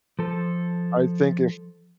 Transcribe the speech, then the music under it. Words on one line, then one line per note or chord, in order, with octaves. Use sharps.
I think i
F3 A4